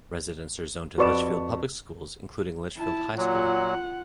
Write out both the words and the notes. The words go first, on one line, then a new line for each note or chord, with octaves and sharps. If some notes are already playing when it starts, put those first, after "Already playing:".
Residents are zoned to Litchfield Public Schools including Litchfield High School.
F2 F#4 B4 D5 C#6 E7
E4 A5
A#2 F#3 F4 F#5